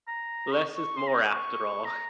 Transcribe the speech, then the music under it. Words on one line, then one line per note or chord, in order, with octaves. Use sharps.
Less is more after all.
A#5
C#6
C#6
C6
A#5
C#6
A#5